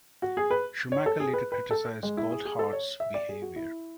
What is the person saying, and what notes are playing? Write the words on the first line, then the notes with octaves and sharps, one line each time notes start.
Schumacher later criticized Coulthard's behaviour.
F#4
G#4
B4
C#5
A4
G#4
B4
B4
A4
G#3
E4
G#4
G#4
A4
C#5
E5
D5
G#4
F#4
E4